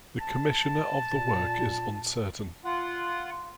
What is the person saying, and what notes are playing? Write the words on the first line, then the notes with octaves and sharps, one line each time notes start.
The commissioner of the work is uncertain.
A5
A#2
F4 F#5